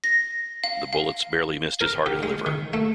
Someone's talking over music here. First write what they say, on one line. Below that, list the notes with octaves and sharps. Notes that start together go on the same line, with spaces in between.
The bullets barely missed his heart and liver.
A#6
F5
F5
A#4
G4
G#3
D#3
A3